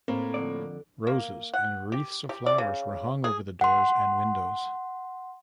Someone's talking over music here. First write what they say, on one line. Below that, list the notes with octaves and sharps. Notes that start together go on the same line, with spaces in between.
Roses and wreaths of flowers were hung over the doors and windows.
A2 A#3 C4
F2 D3 D5
A#3
F#5
G4
G4
D5
C#3
G#4
F#5 C6